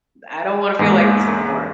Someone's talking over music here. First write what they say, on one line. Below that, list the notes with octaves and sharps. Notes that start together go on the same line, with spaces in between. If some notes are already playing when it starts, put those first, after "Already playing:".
I don't wanna feel like this anymore."
E2 G#2 E3 A#3